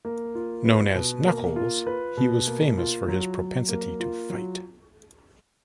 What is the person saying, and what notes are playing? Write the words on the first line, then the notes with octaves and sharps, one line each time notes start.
Known as "Knuckles," he was famous for his propensity to fight.
A#3
F4
B4
B2
A#3
F4
B4
B2
A#3
F4
F#3
F#3
A#3
F4
F#3